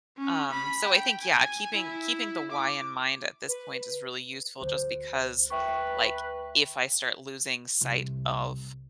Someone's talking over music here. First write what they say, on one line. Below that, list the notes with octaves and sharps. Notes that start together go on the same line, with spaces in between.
um, so I think, yeah, keeping keeping the why in mind at this point, is really useful just because, like, if I start losing sight of
C#4
B5
G5
G#5
E4
D6
B4
D2 C5
B4 E5 G5 C#6
C2